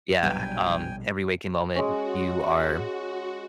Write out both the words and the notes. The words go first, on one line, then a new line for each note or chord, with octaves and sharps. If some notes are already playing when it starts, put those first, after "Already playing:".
yeah, um, every waking moment, you are
A#1 B2 F#3 G3 D4 B4 G5 G#5
G#3 C#4 F#4